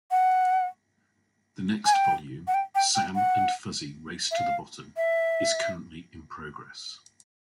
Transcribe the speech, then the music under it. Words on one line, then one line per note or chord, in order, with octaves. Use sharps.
The next volume, "Sam and Fuzzy Race to the Bottom", is currently in progress.
F#5
G#5
G5
F#5
G5
G5
G5
F#5
E5
F5
E5